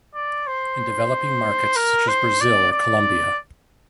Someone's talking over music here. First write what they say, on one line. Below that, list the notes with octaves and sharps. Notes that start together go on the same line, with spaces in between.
In developing markets such as Brazil or Columbia.
D5
C5
A#4
C5
D5
D5